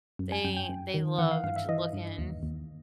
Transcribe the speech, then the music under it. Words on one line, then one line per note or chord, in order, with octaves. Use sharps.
they they loved to looking,
F#2
G#5
F#2 G5
G5
F#2
D#3
E3 F#5
F5
G2 F5
E5
E3 D#5
G2
D#2
D#2